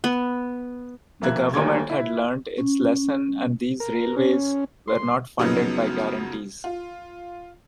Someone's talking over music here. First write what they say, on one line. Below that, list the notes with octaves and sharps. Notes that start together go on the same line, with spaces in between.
The government had learnt its lesson and these railways were not funded by guarantees.
B3
F2 A#3 E5 F#6 G#6
D2 D#3 G3 A#3 C#5 G#6
E4
C#4
A#4
C#4
C6
F#2 C#3 F3 F#3 B3 D#4
F4